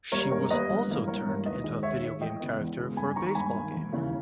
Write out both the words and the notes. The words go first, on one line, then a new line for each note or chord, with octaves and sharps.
She was also turned into a video game character for a baseball game.
G3 A#3 A#4 C#5
G2 A#4 C#5
G3 A#3 B4 D#5
G1
G2 E3 A#3
G1 A#4 C#5
G2 E3 A#3
D#2 B4 D#5
D#3 G#3
D#2 C#5 E5
D#3 G#3
E2 D#5 G5
C#3 G#3 B3
E2
C#3 G#3 B3
G2 G#5 B5
D#3 A#3 A#5 C#6
G2 G#5 B5
D#3 A#3
E1
D#2 C#3 E3 A#3